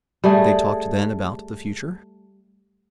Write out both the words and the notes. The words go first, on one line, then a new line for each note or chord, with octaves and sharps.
They talked then about the future.
G3 A3 G#4